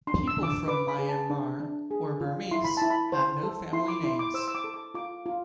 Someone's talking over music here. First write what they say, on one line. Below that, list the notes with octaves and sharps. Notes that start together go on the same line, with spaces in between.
People from Myanmar or Burmese, have no family names.
D4 C6
E6
D4 D6
E6
B4 D6
B5
G#4
A5
D4
D4
G#4
F4
E4 C6
B5
E4 A5
B5
C5
A4
E4 C6
D6
E4 C6
D6
C5 E6
E6
D6
A4
D6
F4 D6
F4